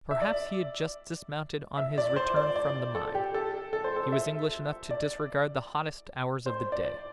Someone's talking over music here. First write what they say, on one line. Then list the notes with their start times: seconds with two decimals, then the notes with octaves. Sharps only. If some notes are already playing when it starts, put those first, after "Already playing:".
Perhaps he had just dismounted on his return from the mine; he was English enough to disregard the hottest hours of the day.
0.11 E5
0.22 D5
1.78 E5
1.98 D5
2.16 C5
2.36 D5
2.56 D5
2.95 A4
3.15 G4
3.34 A4
3.73 A4
3.84 C5
3.96 A4
4.12 E5
4.91 D5
6.46 C5
6.72 D5